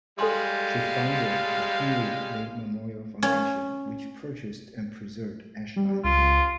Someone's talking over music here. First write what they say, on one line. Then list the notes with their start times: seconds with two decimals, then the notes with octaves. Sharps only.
She founded the Henry Clay Memorial Foundation, which purchased and preserved Ashland.
0.19 G3 G#3 A4 F5 G#5 C6
3.23 C#4
5.76 G3
6.04 C#2 F4